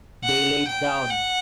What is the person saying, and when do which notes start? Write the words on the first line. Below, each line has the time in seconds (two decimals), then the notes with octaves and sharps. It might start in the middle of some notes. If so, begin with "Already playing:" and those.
They laid down.
0.24 F#5
0.67 G5
1.10 F#5